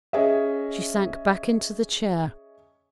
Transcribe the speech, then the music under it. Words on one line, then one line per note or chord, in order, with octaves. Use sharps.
She sank back into the chair.
C#4 G#4 D#5 E5